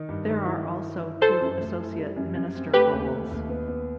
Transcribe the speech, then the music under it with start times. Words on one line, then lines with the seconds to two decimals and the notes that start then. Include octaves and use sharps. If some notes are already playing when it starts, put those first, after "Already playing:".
There are also two Associate Minister roles.
Already playing: D#3 D#4
0.09 G2
0.28 D#3
0.46 E4
0.65 E4
0.84 E4
1.03 E4
1.22 E4 A4 C5
1.41 F#2
1.60 A3
1.80 E4
1.98 G3
2.16 F#2
2.35 F#2
2.55 C4
2.73 A3 G4 B4
2.93 D#2
3.12 D#2
3.31 D#2
3.49 B3
3.68 B3